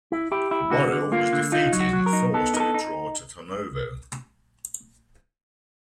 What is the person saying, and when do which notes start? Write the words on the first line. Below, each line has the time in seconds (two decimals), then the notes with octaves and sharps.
Boril was defeated and forced to withdraw to Tarnovo.
0.12 E4
0.32 E4 G4
0.51 E4
0.71 D3 F#4
0.93 D3
1.12 A#3 F4
1.33 D3
1.52 D#4 F4
1.73 F#3
1.80 F#4
1.93 F#3
2.06 A#4
2.13 D#4
2.34 B3 A4
2.54 D#4 A#4
2.60 A4
2.74 D#4